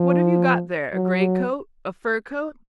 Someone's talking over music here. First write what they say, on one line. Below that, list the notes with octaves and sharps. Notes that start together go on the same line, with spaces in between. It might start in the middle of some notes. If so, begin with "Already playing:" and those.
What have you got there, a great-coat, a fur coat?
Already playing: F3
F#3